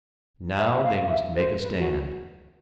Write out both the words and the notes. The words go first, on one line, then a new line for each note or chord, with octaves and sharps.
Now they must make a stand.
E5
E5
F5
F5
E5
C5
B4
F#4